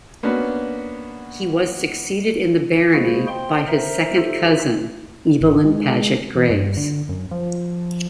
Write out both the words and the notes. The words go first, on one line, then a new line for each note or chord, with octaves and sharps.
He was succeeded in the barony by his second cousin Evelyn Paget Graves.
A#3 B3 C#4 D4 F#4 B4
G#3 A#3 E4 F#4 G#4 C5
C5 G5 C6
A#4 C5 E5 A#5
D#4 F4 G4 A4 C5 E5
G#1
G#3
E3
G2
D3
F#2
F3